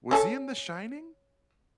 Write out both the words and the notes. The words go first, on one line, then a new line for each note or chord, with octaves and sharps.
Was he in The Shining?
C#4 A4